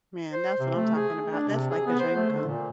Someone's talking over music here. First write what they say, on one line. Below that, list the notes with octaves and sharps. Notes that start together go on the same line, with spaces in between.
Man, that's what I'm talking about, that's like a dream come
C5
C3
A3
G#4
D4
C3
G#4
B3
C5
A3
D3
A#2